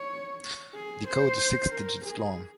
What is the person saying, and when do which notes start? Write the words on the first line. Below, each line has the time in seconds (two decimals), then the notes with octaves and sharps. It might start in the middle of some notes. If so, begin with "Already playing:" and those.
The code is six digits long.
Already playing: C#5
0.75 G#4
1.08 C5
1.73 A#4
2.05 G#4